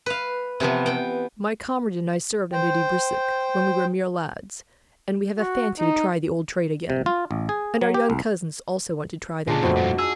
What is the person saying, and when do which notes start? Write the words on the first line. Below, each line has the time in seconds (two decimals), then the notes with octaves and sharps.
"My comrade and I served under De Brissac, when we were mere lads, and we have a fancy to try the old trade again; and our young cousins also want to try their metal."
0.06 B4 F5
0.60 C3 E3 F3 B3
0.86 B3 G5
2.53 C5 G5
5.39 F#4
5.79 D#4
6.90 C3
7.06 F4
7.31 A1
7.49 G#4
7.81 F#3
7.94 G4
8.10 C2
9.47 A#2 C#3 D4 D#4 F4 G#4
9.63 F2 A3 F#4 B4 C5
9.76 G2 A#2
9.98 G#4 E6